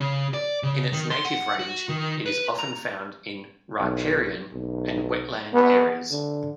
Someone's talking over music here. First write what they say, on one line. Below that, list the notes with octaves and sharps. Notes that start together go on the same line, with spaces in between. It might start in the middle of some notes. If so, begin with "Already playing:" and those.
In its native range, it is often found in riparian and wetland areas.
C#3
D5
C#3
D#3
C6
F#5
F#4
D#3
B4
A#5
B1
B1
B3
D3